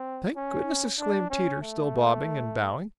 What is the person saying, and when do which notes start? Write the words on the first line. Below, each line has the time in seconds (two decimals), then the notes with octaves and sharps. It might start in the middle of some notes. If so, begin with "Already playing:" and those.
"Thank goodness!" exclaimed Teeter, still bobbing and bowing.
Already playing: C4
0.36 C#4
0.99 D4
1.30 C#4
1.61 A3